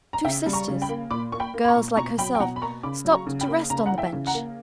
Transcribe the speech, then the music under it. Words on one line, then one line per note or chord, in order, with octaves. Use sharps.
Two sisters, girls like herself, stopped to rest on the bench.
A#5
C#3 E5 G5
G3
A#5 C#6
C#3
G5 B5
A#3
A#2 B5 D6
A#3 C#6
G5 B5
A#3
B5
A#5 C#6
A#2
B2 A#5 C#6
F#3 G5 B5
G5
B2 F#5 A#5
B5
A#3 A#5 C#6
C#3 B5 D6
F#3
A#5 C#6
C#3
G5 B5
A#3
C#3 A#5
B5
F#5 A#5
E3
E5 G5
C#3
F#5 A#5
A#3